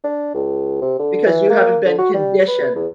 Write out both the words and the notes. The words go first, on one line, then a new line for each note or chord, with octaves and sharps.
because you haven't been conditioned.
D4
C#2
C3
D3
E3
A#3
D3
F#4
G3
B4
E2